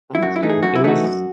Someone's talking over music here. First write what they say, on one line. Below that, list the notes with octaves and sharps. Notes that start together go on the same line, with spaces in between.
Thank you. It was
E4
F#2 F#4
E4
E3 A3 D#4
G#4
F#2 F#4
E4
E3 A3 D#4 F#4
F#2